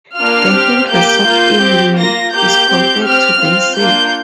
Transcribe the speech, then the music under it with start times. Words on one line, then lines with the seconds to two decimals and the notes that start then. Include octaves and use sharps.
The hindrance of ill will is compared to being sick.
0.17 A#3 D4 F4 F6
0.53 C4 G4
0.90 A#3 G4 G6
1.26 A#3 F4
1.61 C4 G4
1.97 A#3 F4 A#6
2.34 A#3 G4 G6
2.70 C4 G4
3.06 C4 G4 F6
3.42 C4 F4
3.78 A#3 D4 F4 G6